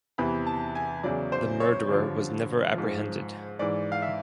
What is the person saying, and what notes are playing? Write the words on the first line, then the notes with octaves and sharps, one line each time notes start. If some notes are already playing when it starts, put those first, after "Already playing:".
The murderer was never apprehended.
E2 C3 E3 B5
A5
G#5
E2 C#3 F#3 D5
C5
C#5
G2 D3 F3
G#2 F3
G#2 E3 D5
F5
E5